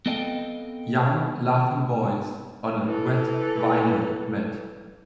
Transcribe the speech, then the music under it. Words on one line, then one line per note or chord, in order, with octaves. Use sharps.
Young laughing boys on a wet vinyl mat.
B3 C4 A4 D#5 F5 G5
E3 A4